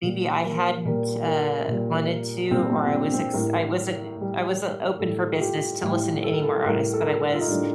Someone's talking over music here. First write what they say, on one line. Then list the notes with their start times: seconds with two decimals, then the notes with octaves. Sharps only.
maybe I hadn't, uh, wanted to, or I was ex I wasn't I wasn't open for business to listen to any more artists, but I was
0.02 A#2 G3
0.44 A#3
0.85 A#2 G3 A#3
1.27 A#3
1.68 A#2 G3
2.51 A#2 G3 C4
2.72 C4
2.87 C4
2.92 D4
3.14 C4
3.33 A2 G3 A#4
4.17 A2 G3
4.99 A2 G3 A4
5.35 F4
5.41 G4
5.82 A2 G3 G4
6.24 A4
6.33 A#4
6.42 A4
6.66 A2 G3 A#4
6.93 A4
7.00 A#4
7.10 A4
7.21 A4
7.33 F4
7.41 D#4
7.48 A2 G3 D4